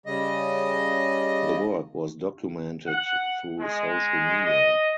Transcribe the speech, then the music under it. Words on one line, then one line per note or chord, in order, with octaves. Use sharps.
The work was documented through social media.
C#3 G3 D#5
F#5
G#3
D#5